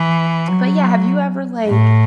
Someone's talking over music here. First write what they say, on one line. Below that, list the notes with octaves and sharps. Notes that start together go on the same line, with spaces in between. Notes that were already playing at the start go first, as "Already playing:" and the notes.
but, yeah, have you ever, like,
Already playing: E3
F#3
A2